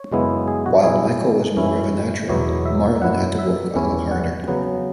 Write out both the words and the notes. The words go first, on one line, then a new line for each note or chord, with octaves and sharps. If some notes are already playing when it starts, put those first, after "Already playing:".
While Michael was more of a natural, Marlon had to work a little harder.
Already playing: C#5
F#2 C#3 G#3 B3 E4
G#4
F#4
B2 F#3 E4 G#4
F#2 E3 C#4 E4
E2 B2 F#3 B3 E4 C#5
E5
F#2 F#3 E4 F#5
E5
E2 E3 C#4 E4
F#5
C#3 F#3 B3